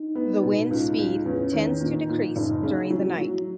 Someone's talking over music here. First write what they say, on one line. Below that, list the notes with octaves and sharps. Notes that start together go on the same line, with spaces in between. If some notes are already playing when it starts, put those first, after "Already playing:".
The wind speed tends to decrease during the night.
Already playing: D#4
B3
B2
C#2
C#2
E2 C#4
D#3
A#2 D#4
A#2
F#1 D#4
C#3
F#3 E4
F#3